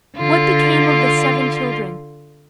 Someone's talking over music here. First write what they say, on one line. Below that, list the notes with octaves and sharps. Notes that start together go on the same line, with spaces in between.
What became of the seven children?
D3 F4